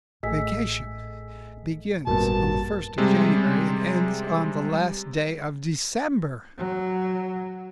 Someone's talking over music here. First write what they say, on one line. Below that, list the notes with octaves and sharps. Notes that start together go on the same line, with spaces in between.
Vacation begins on the first of January and ends on the last day of December.
A1 A3 G#4 D#5 E6 B6
D#1 G#1 F#2 G3 B3 F#4 A#4 A5
C3 G3 G#3
F#3